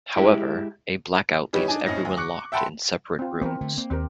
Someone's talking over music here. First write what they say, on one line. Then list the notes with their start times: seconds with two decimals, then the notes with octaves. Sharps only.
However, a blackout leaves everyone locked in separate rooms.
0.17 G#3 E4 G4
1.53 E3 G3 B3 D#4 G4 C#5
1.68 D4 D#4 G#5
1.86 F2 A2 C#4 D#4 A#6
2.05 D2
2.17 C#6 D6 F#6 C#7
2.52 E5 F#5 G5 A5 B5 C6
3.19 C4 F4
3.42 E3 B3 C4 A#4
3.61 D3 A3
3.78 A#3 C4
3.90 D#2 C4 G4 A#4